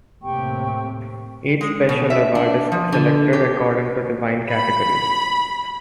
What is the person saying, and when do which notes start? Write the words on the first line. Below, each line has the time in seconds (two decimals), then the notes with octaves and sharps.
Each special award is selected according to wine categories.
0.23 D#2 A2 C3 G4 G5 C#6
1.61 G#3
1.89 B2
2.10 E5
2.35 D4
2.72 F3
2.92 D3
3.33 G4
4.50 B5